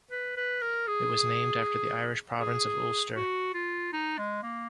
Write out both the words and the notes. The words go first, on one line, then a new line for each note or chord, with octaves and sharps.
It was named after the Irish province of Ulster.
B4
B4
A#4
G#4
G#4
F#4
F4
D#4
G#3
A#3